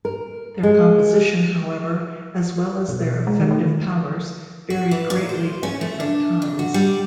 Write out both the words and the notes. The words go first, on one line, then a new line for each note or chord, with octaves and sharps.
Their composition, however, as well as their effective powers, varied greatly at different times.
A#4
G#3
B2
G#3
D#3
A3
F#4
E3
A#2
C5
C#4
A3
D4
F2
F#4
G3